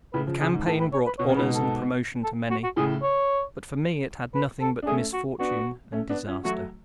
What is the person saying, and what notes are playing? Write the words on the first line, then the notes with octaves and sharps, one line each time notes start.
The campaign brought honours and promotion to many, but for me it had nothing but misfortune and disaster.
A2 C#3 B4
C#3 F3
C#3 F3 G#4
G#2
A2 A4
B4
C#5
B4
B2 C#5
C#3
G#2 B2 B4
A4
A4
F#4
F#4
A2 C#3 G#4
C#5
B4
A4
D4
A3 C#4 G#4
F#4
B3 D4 F#4
A3 C#4
B3 D4
C#4 F4
F#3 A3 F#4